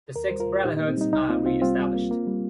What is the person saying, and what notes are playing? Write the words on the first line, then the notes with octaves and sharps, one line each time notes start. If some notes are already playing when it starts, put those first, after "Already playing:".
The six brotherhoods are reestablished.
D#2 A#4
G3 C5
F4 A#4
D#2
A#2 D#4 G4
D#4
A#3
C4
G3 D#4
C2 D#4
A#3 C4 F4
C2 C4 F4
G3 C4 F4
G3
A#3
A#3
G3